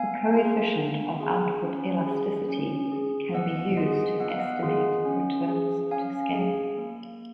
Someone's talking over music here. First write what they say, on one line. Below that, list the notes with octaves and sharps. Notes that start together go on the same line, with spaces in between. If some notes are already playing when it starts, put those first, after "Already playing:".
The coefficient of output elasticity can be used to estimate returns to scale.
Already playing: B3 F5 G#5
F4 G#4
B3
F4 G#4
C#4
G#4
C#4
G#4
B3 D#5 F#5
F4 G#4 D#5
B3 F#5
F5
D#5 F#5
F4 G#4
C#4
G#4
C#4 F5 G#5
G#4
A#3